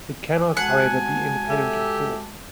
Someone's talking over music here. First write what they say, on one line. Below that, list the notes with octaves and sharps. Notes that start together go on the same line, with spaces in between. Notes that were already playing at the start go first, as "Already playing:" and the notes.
It cannot, however, be independent of thought.
G#3 F#4 F#5 G#5 A5
G4 A4 E5